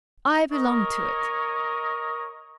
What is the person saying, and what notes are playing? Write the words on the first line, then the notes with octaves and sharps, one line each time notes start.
I belong to it.
A#4 C#5 D#5